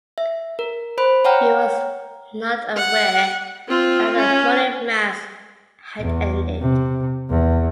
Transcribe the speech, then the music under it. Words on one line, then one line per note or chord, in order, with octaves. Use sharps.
He was not aware that the morning Mass had ended.
E5
A#4
C5 B5 F#6
C#5 F#5 G5 A#5 F6
F#5
C4 F4
C#4
E2
C3
E2